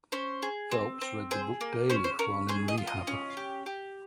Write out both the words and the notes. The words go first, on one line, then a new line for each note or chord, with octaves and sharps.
Phelps read the book daily while in rehab.
C#4 C5
G#4
C4
C4
G#4 C5
A#3
C#4 C5
C5
C#4 A#4
G#4 C5
D#5
F4
D#5
C#4
G4
G4